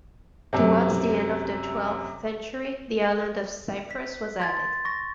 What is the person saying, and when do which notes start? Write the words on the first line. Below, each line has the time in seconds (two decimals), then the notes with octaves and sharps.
Towards the end of the twelfth century the island of Cyprus was added.
0.53 F#2 C3
3.91 B6
4.40 C6 G#6 A6
4.85 C#6 A#6